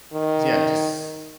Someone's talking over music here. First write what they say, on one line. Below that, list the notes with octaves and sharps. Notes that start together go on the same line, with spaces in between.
'Cause, yeah, just
D#3